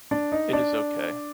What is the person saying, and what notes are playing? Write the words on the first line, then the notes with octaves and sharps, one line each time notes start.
It is okay...
D4
D#4
D4